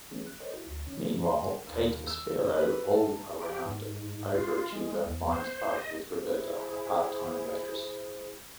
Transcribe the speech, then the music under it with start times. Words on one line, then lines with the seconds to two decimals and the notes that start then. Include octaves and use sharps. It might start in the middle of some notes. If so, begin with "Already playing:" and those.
Meanwhile, Kate Aspero, all-around overachiever, finds love with Roberta, a part-time waitress.
0.11 E3 F#3 A3 B3 C#4 G#4
0.27 F#6
0.40 A4 A#4 C5 C#5 D#5 G5
0.53 E4 F#4
0.67 D2
0.86 D#3 C#4
1.26 C6
1.67 D#2
2.07 E6
2.57 B4
2.94 A5
3.42 G4
3.66 G#2
4.35 F4
4.72 G#3
5.06 E2
5.33 C5
5.76 D#5
6.15 E4 G#4 C5